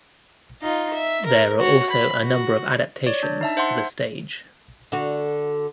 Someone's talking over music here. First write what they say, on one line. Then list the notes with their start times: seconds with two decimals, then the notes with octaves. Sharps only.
There are also a number of adaptations for the stage.
0.62 D#4 F4
0.94 E5
1.26 A#4
1.60 F#4 C#5
1.90 B5
2.23 F#4
3.06 C#5 D5
3.23 D4
3.41 D#4 E5 A5
3.57 C5 E5 F#5 C6
4.92 D3 F#4